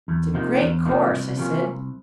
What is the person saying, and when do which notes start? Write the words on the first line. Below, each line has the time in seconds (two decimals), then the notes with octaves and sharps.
"It's a great course," I said.
0.08 E2
0.34 C3 F3 A#3 D#4
0.60 E2
0.86 C3 F3 A#3 D#4
1.11 C2
1.37 C3 F3 A#3 C#4
1.63 C2